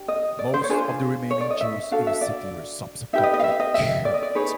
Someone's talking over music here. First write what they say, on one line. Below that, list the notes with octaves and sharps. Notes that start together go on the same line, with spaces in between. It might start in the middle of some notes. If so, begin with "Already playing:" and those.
Most of the remaining Jews in the city were subsequently killed.
Already playing: D4 G4
D#5
D5
C5
C#5
D4 F4 G#4 B4 C5
C#5
D5
D#5
E5
D4 F#4 A4 F5
E5
D5
D#4 G4 B4 E5
D#5
D#5
F5
E5
D#5
E5
D5
D#5
D5
D#4 G#4 B4 C#5